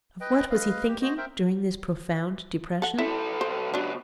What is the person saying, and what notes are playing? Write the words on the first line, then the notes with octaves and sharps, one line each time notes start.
Of what was he thinking during this profound depression?
B4 D#5 G5
B4 D#5 F5
G4
F#4 C5 D#5
A#4 C5 E5 G5
A4 F#5
B1 E4 A4
C5
C#3 F#3 B3 D4